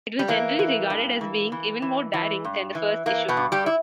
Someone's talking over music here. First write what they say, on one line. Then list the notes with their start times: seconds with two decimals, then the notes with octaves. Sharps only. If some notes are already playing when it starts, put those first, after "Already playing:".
It was generally regarded as being even more daring than the first issue.
0.19 G3
0.28 E3 A#3
0.59 E3
0.90 G2
1.21 E3
1.52 E3
1.82 E3
2.14 E3
2.45 G2
2.75 E3
3.06 E3 A#3
3.28 B2 B3
3.37 G2
3.52 G3 G4
3.66 E4